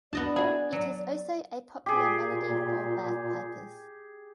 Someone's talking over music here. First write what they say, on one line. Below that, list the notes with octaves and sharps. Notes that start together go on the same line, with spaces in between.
It is also a popular melody for bagpipers.
B3 D4 D5 D#5 A5
E4 F#4 G#4 B5
F#3
A#2 G4 G#4